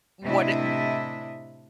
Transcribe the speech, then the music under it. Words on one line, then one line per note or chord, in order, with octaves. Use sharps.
what it w w
A2 C3 D4 E4 D#5 E5